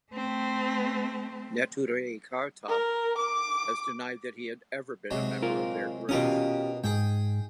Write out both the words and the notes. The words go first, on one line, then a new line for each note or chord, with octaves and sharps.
Neturei Karta has denied that he had ever been a member of their group.
A3 C4
A#4
D6
C3 F#3 G#3
F4 A#4
B2 C#4 F4 G4 A#4 D#6
G#2 G#4 G5